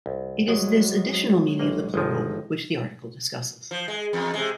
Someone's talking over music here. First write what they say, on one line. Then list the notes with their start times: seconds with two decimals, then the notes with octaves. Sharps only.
It is this additional meaning of the plural which the article discusses.
0.06 C2
0.48 F#3 G#3
1.59 A1 A#3
1.94 G1 D#3 F3 G#3
3.71 F3
3.88 G#3
4.13 E2
4.34 C3 G#3